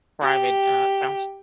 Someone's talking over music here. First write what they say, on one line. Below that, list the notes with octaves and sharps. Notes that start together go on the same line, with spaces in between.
private, uh, counselor.
G4